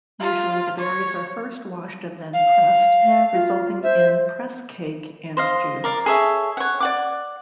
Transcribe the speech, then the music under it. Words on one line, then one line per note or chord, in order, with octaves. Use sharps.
Usually, the berries are first washed and then pressed, resulting in press-cake and juice.
F4
C#5
F5
A3
F4
C5 E5
C5 D#5 F5
A#4 D5 F5
G#4 A4 C#5 E5
C#5 F#5
D5 F#5 D6